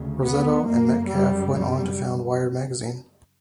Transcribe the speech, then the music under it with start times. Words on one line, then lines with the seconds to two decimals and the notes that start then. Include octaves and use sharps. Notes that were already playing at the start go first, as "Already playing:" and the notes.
Rossetto and Metcalfe went on to found "Wired" magazine.
Already playing: D2 C#3
0.25 B3
0.68 F#2 C#3 A#3
1.10 G3
1.53 G3